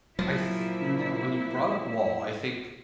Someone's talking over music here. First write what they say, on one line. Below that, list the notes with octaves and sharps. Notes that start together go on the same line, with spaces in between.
I th kno when you brought up wall, I think
A#2 F3 F#3 E4